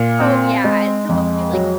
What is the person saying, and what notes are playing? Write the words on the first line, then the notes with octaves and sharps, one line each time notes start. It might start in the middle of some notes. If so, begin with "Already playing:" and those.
Oh, yeah, someone would be like
Already playing: A#2
C4
G#3
F2
F#3